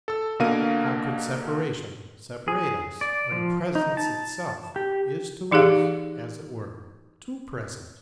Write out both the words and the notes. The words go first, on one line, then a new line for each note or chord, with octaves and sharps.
How could separation separate us, when presence itself is to us, as it were, too present?
A4 E6
B2 D3 A#3 A#4 F5 D#7
G#4
D5
F3
D#4
A5
G4
E3 D#4 G4 G#4 F5